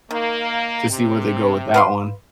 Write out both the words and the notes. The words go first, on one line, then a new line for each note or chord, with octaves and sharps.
to see where they go with that one.
D#3 A#3
C3
B4 F5 C6